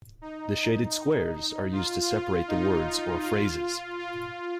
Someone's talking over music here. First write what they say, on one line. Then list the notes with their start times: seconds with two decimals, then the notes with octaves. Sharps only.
The shaded squares are used to separate the words or phrases.
0.22 D#4
1.73 F4
2.10 F4
2.48 D#4
3.24 F4
3.99 F4